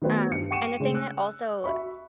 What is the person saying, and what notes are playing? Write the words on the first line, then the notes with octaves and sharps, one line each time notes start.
um, and the thing that also,
D#3 F#3 A3 B3 B4 C5
G2 C#7
F#5 G5 C#6 C#7 D#7 E7
C#3 G#3 A3 C#4
E6 F#6
F#4 E5 B5 C#6